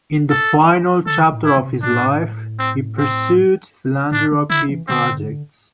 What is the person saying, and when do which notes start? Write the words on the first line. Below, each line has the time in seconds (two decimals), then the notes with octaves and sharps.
In the final chapter of his life, he pursued philanthropy projects.
0.30 A4
1.06 D3 A4
1.32 A2
1.45 E4
1.57 C3
1.82 A2 D4
2.59 C4
2.98 C4
4.11 A2 D4
4.32 D3
4.50 D3 E4
4.69 E3
4.88 D3 C4